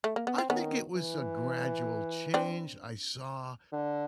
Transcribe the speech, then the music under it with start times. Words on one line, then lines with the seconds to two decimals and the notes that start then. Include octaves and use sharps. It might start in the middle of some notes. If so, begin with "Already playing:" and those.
I think it was a gradual change, I saw,
0.04 A3
0.16 A#3
0.27 B3
0.38 C4
0.49 D#3 B3 C#4
0.96 E3
2.34 C4 D4
3.73 D3